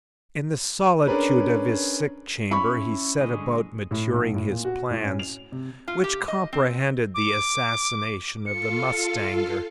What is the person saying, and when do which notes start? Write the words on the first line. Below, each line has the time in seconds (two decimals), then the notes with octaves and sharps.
In the solitude of his sick chamber he set about maturing his plans; which comprehended the assassination of the mustanger.
1.07 C#4 D4 G#4 A#4 B4 C#5
2.51 C#4 E4 B5 C#6
3.20 D3 G#3 D#5
3.91 A2
4.14 B1
4.34 A2
4.50 A#2
4.65 F#4
4.90 A2
5.04 C#4
5.19 F7
5.52 C3
5.88 F4
6.04 G4
6.28 D#5
6.53 C4
7.15 D6
8.46 F4 A4 F5 C#7